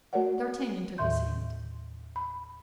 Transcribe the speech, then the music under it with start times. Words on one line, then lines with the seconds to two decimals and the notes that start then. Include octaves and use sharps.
D'Artagnan took his hand.
0.13 A3 F#4 A#4 C#5 D5 F#5
0.98 D#2 A2 D#3 E5 C6 G6
2.16 B5